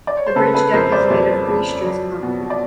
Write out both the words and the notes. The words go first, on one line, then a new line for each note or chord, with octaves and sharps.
The bridge deck is made of pre-stressed concrete.
D5
C#5
C5
C#3 A4 B4
A4 B4
F2 A#4 C5
C5 D5
F2 C5 D5
F2
F#3
B2
D5